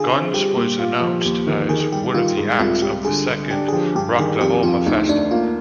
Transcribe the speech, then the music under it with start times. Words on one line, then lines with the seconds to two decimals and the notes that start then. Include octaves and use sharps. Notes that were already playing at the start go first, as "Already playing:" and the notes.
Guns was announced as one of the acts of the second Rocklahoma festival.
Already playing: D3 F4 G#4
0.10 C4
0.33 G3 G4
0.56 A#2
0.79 F4
1.01 F3
1.25 D#2
1.47 D#3
1.69 D#3 G#4
1.80 G#4
1.92 G3 G4
2.14 D#3 F4
2.37 G#2
2.59 C2 F4
2.82 G3 G4
3.05 D3 G#4
3.28 D3
3.50 D4 G4
3.68 G#4
3.72 F3 G4
3.95 G2 G4
4.18 D#3 G#4
4.41 F2 G4
4.63 F2 F4
4.86 D2 D#4
5.09 D2 D4
5.31 A#3 F4